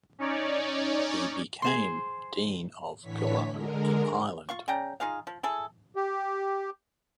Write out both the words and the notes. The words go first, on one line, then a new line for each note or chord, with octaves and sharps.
He became Dean of Killaloe, in Ireland.
C#4 D#4 C#5 D5
G#4 C5 C6
A2 D3 E3 C#5 B6
D3 G#3 A#4
F4 F5 C#6
C#3 D5 G5 A#5
D#4 F4 G#4 F5
F3
E4 G#4 A4
G4